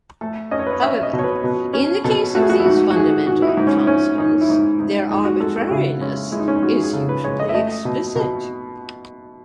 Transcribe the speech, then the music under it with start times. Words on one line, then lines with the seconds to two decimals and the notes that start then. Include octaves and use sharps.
However, in the case of these fundamental constants, their arbitrariness is usually explicit.
0.21 A3 A4
0.51 C#4 D#5
0.59 C#5
0.66 B4
0.73 C#5
0.82 C#4 E5
0.99 E5
1.03 D#5
1.13 B2
1.19 C#5
1.24 B4
1.44 B2
1.73 C#4
2.04 B2 A4
2.35 A3 F#4
2.42 G#4
2.50 F#4
2.60 E4
2.65 G#2 F#4
2.90 F#4
2.96 D#3 G#4
3.26 D#3 F#4
3.42 E4
3.47 D#4
3.57 G#2
3.67 C#4
3.87 G#2 C#4
4.18 D#3 D#4
4.41 E4
4.49 G#2 D#4
4.80 G#2 D#4
5.11 G#3 D#4
5.25 F#4
5.40 G#3 A4
5.56 A4
5.67 F#4
5.71 C#3 E4
6.01 G#3 C#4
6.32 G#3 E4
6.39 D#4
6.48 C#4
6.55 D#4
6.62 G#3 F#4
6.83 G#4
6.93 C#3 A4
7.09 B4
7.24 G#3 C#5
7.40 D#5
7.49 E5
7.54 A3 D#5
7.85 B2
8.16 B2